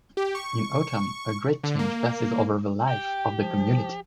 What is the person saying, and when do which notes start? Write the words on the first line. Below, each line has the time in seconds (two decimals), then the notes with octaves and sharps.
In autumn, a great change passes over the life of the community.
0.17 G4
0.35 C#6
1.63 D3
1.79 A#3
2.88 G4 G5
3.37 F3